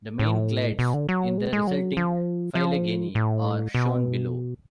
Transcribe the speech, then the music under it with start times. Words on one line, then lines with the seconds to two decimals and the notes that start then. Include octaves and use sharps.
The main clades in the resulting phylogeny are shown below.
0.19 A2
0.79 B2
0.94 D3
1.09 F#3
1.38 G#3
1.53 G#3
1.67 F#3
1.97 F3
2.55 F3
3.15 A2
3.75 B2